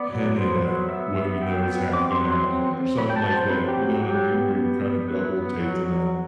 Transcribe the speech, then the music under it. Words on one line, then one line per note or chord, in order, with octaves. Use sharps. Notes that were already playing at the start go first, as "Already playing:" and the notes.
hinted at what you know is ha gonna happen or something like that, you know what I mean? Where you're kinda double taking it.
Already playing: B3 D5
F#3
B3 C5
F#3
B3 E5
B3
F#3 G5
B3
C4 D6
C6
F#3
C6
C4
C4
F#3 B5
G5
A5
F#3
C5
C4 B4
G4
F#3
F#4
F#3 G4
B3
B3
B3
F#3 B4
B3
F#3
F#3